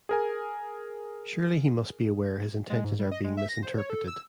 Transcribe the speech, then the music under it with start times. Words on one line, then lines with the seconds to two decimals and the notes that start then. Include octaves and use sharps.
Surely he must be aware his intentions are being misinterpreted.
0.09 G#4 A#4 G#5
2.70 G#3
2.84 G#2
2.99 G3
3.12 D#5
3.24 G#3
3.37 E5
3.48 A#6
3.63 C5
3.78 C#5
3.90 A4
4.08 E6